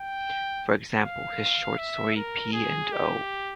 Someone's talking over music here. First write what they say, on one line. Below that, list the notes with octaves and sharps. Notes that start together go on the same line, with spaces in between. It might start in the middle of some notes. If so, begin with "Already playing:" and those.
For example, his short story, P. and O.
Already playing: G5
F5
E5
A#4
G#4
G4